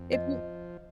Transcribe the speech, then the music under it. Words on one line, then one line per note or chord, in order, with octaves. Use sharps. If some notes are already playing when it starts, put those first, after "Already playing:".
if you
Already playing: F2
F3 D#5